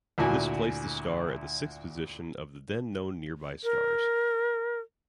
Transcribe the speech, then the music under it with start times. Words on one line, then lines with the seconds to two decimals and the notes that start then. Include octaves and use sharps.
This placed the star at the sixth position of the then-known nearby stars.
0.18 D2 A#2 E4 F#4 G#5
3.64 A#4